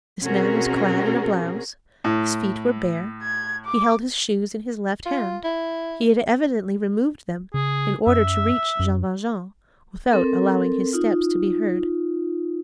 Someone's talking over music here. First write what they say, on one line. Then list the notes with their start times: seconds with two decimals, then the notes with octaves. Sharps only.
This man was clad in a blouse; his feet were bare; he held his shoes in his left hand; he had evidently removed them in order to reach Jean Valjean, without allowing his steps to be heard.
0.24 B2 C4 C#4 F#4 G#4 A#4
2.04 A2
3.23 G#6
3.65 D6
5.06 F4
5.44 E4
7.54 C#3 G#4
8.07 F#2 E5
8.80 F#2
10.11 C4 A4 A#4
10.93 D#4 F4